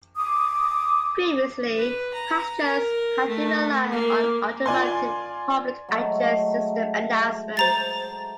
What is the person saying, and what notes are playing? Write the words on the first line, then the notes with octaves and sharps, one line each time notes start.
Previously, passengers had to rely on automated public-address system announcements.
D6 D#6
B4
A#5
A#4
A3
A#3
F4 D5 G#5 C6
F#3 G#3 A3
C5 A#5 A6